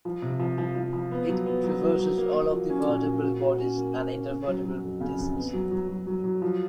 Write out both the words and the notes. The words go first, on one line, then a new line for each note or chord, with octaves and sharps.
It traverses all of the vertebral bodies and intervertebral discs.
F3
C3
F3
F3
F3
F3
B3
F#3
B3
F#3
F#3
F#3
A#3
A#3
F3
C#4
A#2
A#2
F#4
F#4
C#4
A#3
A#3
C#4
C#3
F#3
F#3
F2
C#3
F2
B3
F#3
F#3
F#3
F#3
F#3
F3